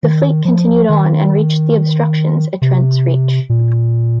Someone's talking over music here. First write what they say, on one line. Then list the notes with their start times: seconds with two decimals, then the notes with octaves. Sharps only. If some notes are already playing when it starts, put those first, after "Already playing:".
The fleet continued on and reached the obstructions at Trent's Reach.
0.03 D#3
0.45 F3
0.89 D#3
2.62 C3
3.49 A#2